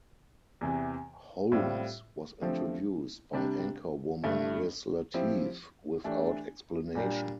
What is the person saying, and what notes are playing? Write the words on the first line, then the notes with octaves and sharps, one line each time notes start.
Holmes was introduced by anchorwoman Riz Lateef without explanation.
E2 C3 E3
A2 G3 C4 F4
D3 F3 A3 C4 G4
C3 G3 D4
G2 D3 A3
F3 C4 E4 G4
E3 A3 D4 G4
A#2 G3 D4